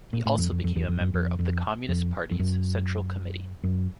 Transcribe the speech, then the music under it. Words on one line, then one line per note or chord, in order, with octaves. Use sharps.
He also became a member of the Communist Party's Central Committee.
A#2
A2
F2
F2
F2
E2
F2
F#2
F2
F2
F2
F2
F#2
F#2